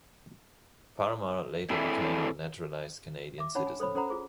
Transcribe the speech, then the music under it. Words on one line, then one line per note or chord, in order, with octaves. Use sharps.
Parmar later became a naturalized Canadian citizen.
C4 D4 E4 G#4 A4 E5
E5 D6
C#4 D4 C#5 F#5 A5 B5
G#5
A4 C5 C#5 B5
C#4 A4 C5 F#5 A#5 B5
F4 G#4 C5